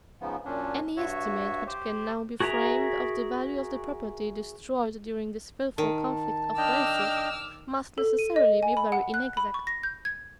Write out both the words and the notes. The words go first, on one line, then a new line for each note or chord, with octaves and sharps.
Any estimate which can now be framed of the value of the property destroyed during this fearful conflict of races must necessarily be very inexact.
G#2 C#3 F3 B3
F#2 A#2 C#4 D4
G2 F#4 C#5 E5
G4 C5
F#4 G#4 A#4 E5 A#5
D#3 A5
D4 D#5 G5 D6 E6 F6
A4
D#7
D#5
G#5
B5
F#5
F#6
B5
C#6
A#6
G6
G#6